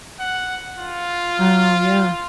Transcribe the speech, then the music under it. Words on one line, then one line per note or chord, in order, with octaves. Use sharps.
Oh, yeah.
F#5
F4